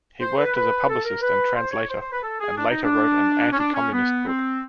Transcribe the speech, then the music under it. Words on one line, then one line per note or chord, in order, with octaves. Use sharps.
He worked as a publicist and translator and later wrote an anti-communist book.
C5
B4
B4
A4
A#4
B4
C5
C#5
C5
C5
B4
A4
G#4
D4
D#4
D4
C#4
D4
C#4
B3
C4